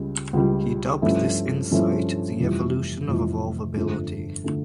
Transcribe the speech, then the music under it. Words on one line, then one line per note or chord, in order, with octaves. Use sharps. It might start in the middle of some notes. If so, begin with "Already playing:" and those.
He dubbed this insight "the evolution of evolvability".
Already playing: C#2 C#3 G3
C#2 C#3 G3
G2 F3 A3 C#4 E4
G2 F3 A3 C#4 E4
F1 F2 E3 G3
F1 F2 E3 G3
G1 F2 D3 A3
D3 A3